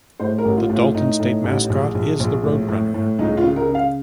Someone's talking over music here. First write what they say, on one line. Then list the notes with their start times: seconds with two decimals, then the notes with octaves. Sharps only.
The Dalton State mascot is the roadrunner.
0.20 A2 C5
0.38 A#4
0.45 A1
0.57 F4
0.70 A2
0.76 F4
0.95 A2 D#4
1.20 A2
1.44 A1
1.70 A#1
1.95 A#1
2.20 A#1
2.44 A2
2.69 A2
2.94 A2
3.19 C#2 D#4
3.37 F4
3.44 C#3
3.56 A#4
3.69 C#3
3.75 F5